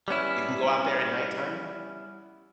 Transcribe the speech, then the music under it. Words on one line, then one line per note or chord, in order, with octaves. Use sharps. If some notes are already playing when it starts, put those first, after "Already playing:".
You can go out there at nighttime.
G3 B3 C#4 E4